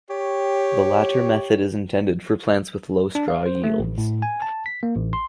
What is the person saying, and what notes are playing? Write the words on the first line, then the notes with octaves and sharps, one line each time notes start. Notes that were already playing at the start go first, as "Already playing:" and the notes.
The latter method is intended for plants with low straw yields.
G4 C#5
D4
F5
C5
A3
A1
A2
G#5
A5
B6
A#3
A1
C6